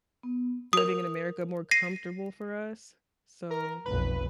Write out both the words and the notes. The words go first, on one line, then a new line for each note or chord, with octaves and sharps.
living in America more comfortable for us, so
B3
A#4 D#6
A#6 C7 D#7
A#4
F1 B1 B4